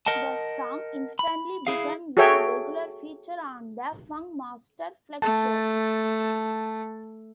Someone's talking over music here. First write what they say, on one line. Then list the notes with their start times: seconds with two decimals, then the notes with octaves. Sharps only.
The song instantly became a regular feature on the Funkmaster Flex show.
0.06 A#4 D#5 F#5 A5
1.19 B5
1.67 E4 G#4 F5
2.17 F#4 G#4 A4 C#5 E5 G5
5.22 A3 A5